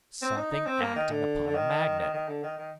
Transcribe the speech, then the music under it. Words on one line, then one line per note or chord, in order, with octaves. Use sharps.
Something acting upon a magnet.
C4
D#4
D#4
C4
A#3
D#3
D3
D3
D#3
D#3
D#3
D3
D#3
D#3